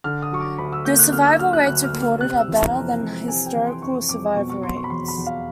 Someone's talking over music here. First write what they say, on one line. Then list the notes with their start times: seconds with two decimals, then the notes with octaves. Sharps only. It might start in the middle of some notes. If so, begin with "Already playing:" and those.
The survival rates reported are better than historical survival rates.
0.04 D3 F6
0.22 D#6
0.31 F#3 C#6
0.40 D6
0.58 D2 B5
0.72 E6
0.85 A#3 G6
0.99 F#6
1.12 D3 F6
1.26 E6
1.39 F#3 F6
1.53 F#6
1.66 D2 F#6
1.84 F6
1.93 A#3
2.02 F6
2.21 C3 F#6
2.39 E6
2.48 E3
2.56 A#5
2.74 F2
3.02 F2
3.28 C3 G#5
3.46 G5
3.56 E3
3.65 C6
3.82 F2 C#6
4.09 F2 D6
4.36 B2 C#6
4.50 C#6
4.63 F#3 C6
4.77 C#6
4.84 B5
4.90 E2 C6
5.08 B5
5.17 E2
5.26 F5